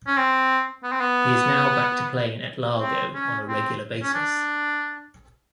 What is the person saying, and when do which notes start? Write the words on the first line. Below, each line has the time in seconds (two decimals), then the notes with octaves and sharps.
He is now back to playing at Largo on a regular basis.
0.07 C#4
0.17 C4
0.83 B3
0.92 C4
1.00 B3
2.82 C4
3.15 C#4
3.48 C4
4.03 C#4
4.14 D4